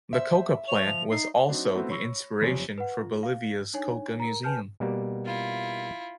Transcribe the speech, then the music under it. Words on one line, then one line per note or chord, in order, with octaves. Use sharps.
The coca plant was also the inspiration for Bolivia's Coca Museum.
C5 E5
C#5 F7
F3
D#4 C7
F#3 C4 D4 D#4 F#4
A3 B3 C4 E4 F#4
C#5 B5 C#6 E6 A#6
F#1 F2 G3 C#5 G#5 D7
B4 F#5
F4
F5
D4 D#4 C#5 G#5
A#4 A#5
B4 G#5 A5 F6 G6
B2 G3 A#3
E4 F4